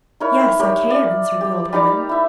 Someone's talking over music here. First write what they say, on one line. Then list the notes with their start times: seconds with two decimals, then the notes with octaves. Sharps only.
'Yes, I can,' answered the old woman.
0.20 D#4 E4 A#4 C#5
0.59 G4 A#4 C#5
0.90 D5
1.41 G4
1.73 G3 D#4 A#5 D6
2.09 E4 E5